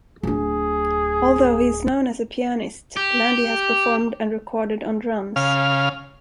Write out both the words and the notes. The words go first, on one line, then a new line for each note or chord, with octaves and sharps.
Although he is known as a pianist, Lande has performed and recorded on drums.
D1 D4 G#4
G4
C#3 F5